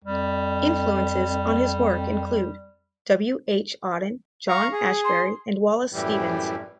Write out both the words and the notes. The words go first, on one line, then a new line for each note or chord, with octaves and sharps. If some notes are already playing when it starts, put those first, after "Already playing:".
Influences on his work include: W. H. Auden, John Ashbery, and Wallace Stevens.
F2 G3
F5 A#5 C#6
G#4
C6
F#2 A2 E3 G3